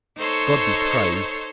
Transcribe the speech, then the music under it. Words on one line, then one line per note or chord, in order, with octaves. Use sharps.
God be praised!
D#4 A4 C5 C#5 C6 C#6